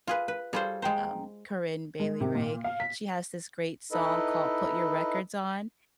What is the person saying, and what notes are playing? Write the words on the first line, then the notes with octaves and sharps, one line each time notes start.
um, Corinne Bailey Rae, she has this great song called "Put Your Records On,"
F4 G#4 B4
B4
G3 F4 G#4 A4 C5 C#5
G#3 G#4 C5 G5 A#5
G#3
C3
A#2
F5
B6
D#4 E4 A4 B4 D#5